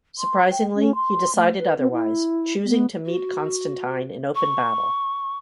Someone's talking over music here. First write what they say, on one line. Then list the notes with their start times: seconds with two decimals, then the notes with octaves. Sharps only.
Surprisingly, he decided otherwise, choosing to meet Constantine in open battle.
0.19 C6
0.51 G5
0.75 C#4
0.95 C6
1.36 A3
1.59 B4
1.79 C4
1.92 E4
2.65 B3
3.06 F#4
4.35 C#6